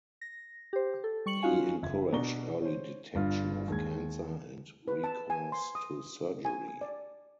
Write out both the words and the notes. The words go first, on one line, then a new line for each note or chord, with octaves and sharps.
He encouraged early detection of cancer and recourse to surgery.
A#6
G4 C5
A4
G3 C#6 C#7 F#7
C#4 D#4 F4 F#4 F5 G#5
F#1 E5 G#6
B2 D4 A#5 C#6 G7
C5 C#5
G1 G2 F4
D#2 G#3 G#6
B4
A5
G#5
C6
D#6
G#5
D5